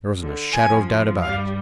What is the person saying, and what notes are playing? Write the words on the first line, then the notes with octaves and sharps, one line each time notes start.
There wasn't a shadow of doubt about it.
D3
F2 F3 G#5
G2 G3 F5